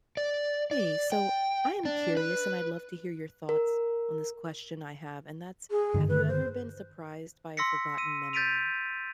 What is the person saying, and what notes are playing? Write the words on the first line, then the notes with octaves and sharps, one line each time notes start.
Hey, so I am curious and I'd love to hear your thoughts on this question I have, and that's have you ever been surprised by a forgotten memory?
D5
D5
G5
D4
B4
A#4
G#4
G2 D3 D#3
B4
C5
C6 E6 A#6 B6 C#7
E6 D#7
G6 A6 B6 D7 D#7 F7